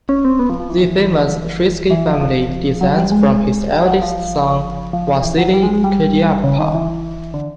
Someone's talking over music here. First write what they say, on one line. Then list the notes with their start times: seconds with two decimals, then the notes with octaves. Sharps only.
The famous Shuisky family descends from his eldest son, Vasily Kirdyapa.
0.09 C#4
0.25 C4
0.39 B3
0.50 F3
0.60 F3
0.70 E3
1.91 E3
2.06 F3
2.21 F3
2.81 F#3
2.97 G3
3.12 G#3
3.71 G3
3.87 F#3
4.02 F3
4.93 F3
5.07 F3
5.23 E3
5.38 F#3
5.54 G3
5.63 G#3
5.73 G#3
5.84 G3
6.44 C#3
6.59 D#3
6.74 E3
7.34 D3